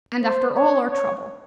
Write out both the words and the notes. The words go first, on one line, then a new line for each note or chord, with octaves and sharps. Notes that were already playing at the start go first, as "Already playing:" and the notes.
'And after all our trouble!
C5
C#5
C#5